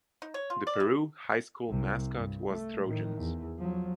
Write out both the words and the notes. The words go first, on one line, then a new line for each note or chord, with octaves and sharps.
The Peru High School mascot was Trojans.
D#4
C#5
F4
D5
E3
C2 C3
G2
A3
A2 D#3
E2
F3 F#3